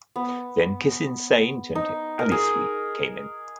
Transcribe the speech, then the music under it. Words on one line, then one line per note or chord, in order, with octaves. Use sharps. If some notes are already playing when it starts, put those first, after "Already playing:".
Then Kissin Saint and Alysweep came in.
B3
D#4
A#4
G#4